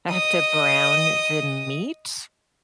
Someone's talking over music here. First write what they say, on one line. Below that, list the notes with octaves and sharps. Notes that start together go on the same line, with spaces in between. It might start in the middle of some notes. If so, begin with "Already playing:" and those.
I have to brown the meat
D#5 D#6